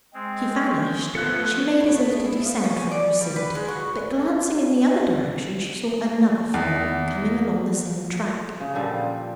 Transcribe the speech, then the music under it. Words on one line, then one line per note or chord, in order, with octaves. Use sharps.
As he vanished, she made as if to descend from her seat; but glancing in the other direction she saw another form coming along the same track.
G#3 C4
F3 A3 B3 A4 F#6 G#6
A2
A3
G#4
E4
F3
C#4
G#5
D5
G3
B4
G#3
F#4
E2
C#3
A#2 D3 F3 G3